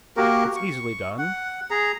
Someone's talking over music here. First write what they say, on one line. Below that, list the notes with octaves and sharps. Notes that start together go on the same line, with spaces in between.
It's easily done.
A#3 F#4 G4 A#4
C#6
F#5
G#4 A#5